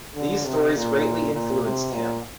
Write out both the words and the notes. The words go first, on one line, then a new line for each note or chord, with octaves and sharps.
These stories greatly influenced him.
D3
C3
A#2
A#2
C3
A#2